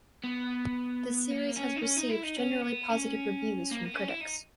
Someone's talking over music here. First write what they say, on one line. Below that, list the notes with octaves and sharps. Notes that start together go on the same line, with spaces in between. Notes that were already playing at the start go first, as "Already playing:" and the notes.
The series has received generally positive reviews from critics.
B3
A#3
C#4
D#4
C#4
D#4
E4
D#4
C#4
B3
C#4
A#3
B3
C#4
E4
D#4